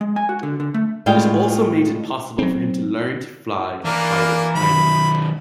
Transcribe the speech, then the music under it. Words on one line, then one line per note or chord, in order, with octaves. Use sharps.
It also made it possible for him to learn to fly a private plane.
G#3
G#5
F#4
D3
D3
A3
A2 G3 G#3 F4 G5
F#3 C4
E3 A#3 D4 A#4
D#3 F#3 B5